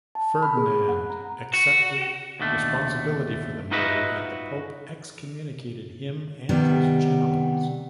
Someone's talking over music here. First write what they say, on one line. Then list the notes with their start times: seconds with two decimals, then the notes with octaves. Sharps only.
Ferdinand accepted responsibility for the murder, and the pope excommunicated him and his generals.
0.15 A5
0.43 B5
0.57 G#4
0.89 F#5
1.10 A#5
1.54 F#4
2.40 D#2 B2 D3 A3
3.71 D#4 F4 F#4 B4 D#5 E5
6.49 C3 D#3 G3 B3